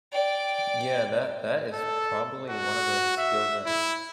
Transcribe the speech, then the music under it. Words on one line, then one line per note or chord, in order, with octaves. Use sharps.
Yeah, that that is probably one of the skills that
D5 G5
A4
F#4
E5
E4